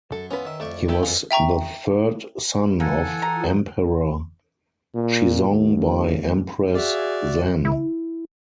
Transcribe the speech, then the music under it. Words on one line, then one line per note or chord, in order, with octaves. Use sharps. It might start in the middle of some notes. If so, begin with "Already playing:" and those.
He was the third son of Emperor Shizong by Empress Zhen.
F#2 A4
E3 B3 C#4 F4 B4
D#3 E5
F2 A3 D5 C#6
D#3 A3 E4 G4 G5 B5
F2 E3 F4 G#4
E5 G5 A#5 C#6
E3 A#3 A4 F#5 G#5
E3 F4 A#5 D#6
A#2
D#2
F#4 G#4 D5 E5 F5
E4